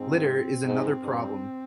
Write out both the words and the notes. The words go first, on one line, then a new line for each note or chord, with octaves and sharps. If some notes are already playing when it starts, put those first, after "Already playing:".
Litter is another problem.
Already playing: G#2 C4
G#2
G2